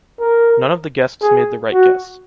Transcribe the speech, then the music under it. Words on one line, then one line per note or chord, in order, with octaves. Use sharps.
None of the guests made the right guess.
A#4
G#4
F#4